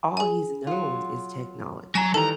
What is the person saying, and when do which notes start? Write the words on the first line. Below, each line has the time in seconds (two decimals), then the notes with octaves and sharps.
all he's known is technology,
0.17 G#4 G#5
0.67 F#3 F4
1.95 F#3 G#5 A#5 E7
2.14 D#3 E3 G3 A4 A5 A#5